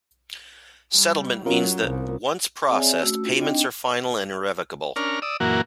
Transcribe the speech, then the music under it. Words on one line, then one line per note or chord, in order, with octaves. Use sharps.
"Settlement" means that once processed, payments are final and irrevocable.
G3
F#3 C#4 F4 A#4
C2
C4 G#4 C#5 D5 E5 G#5
A3 C#4 F#4 E6
D4 F4 F#4
C4 D4 D#4 D#5 G5
C#4 D4 A#4 F6
D5 D#6 E6
F#2 A#2 E3 A#3 F#4